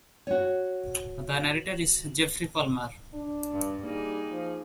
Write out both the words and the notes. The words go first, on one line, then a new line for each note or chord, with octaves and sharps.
The narrator is Geoffrey Palmer.
F#4 C#5
D4
G2
G3 A#3 D#4 G#4
F3